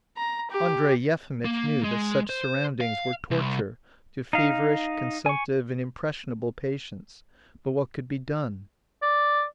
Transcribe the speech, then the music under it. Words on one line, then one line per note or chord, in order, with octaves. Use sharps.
Andrey Yefimitch knew that such surroundings were torture to feverish, consumptive, and impressionable patients; but what could be done?
A#5
G4
A#3
G#3
C5
F5
C2
D#4 F5
G#5 C#6
D5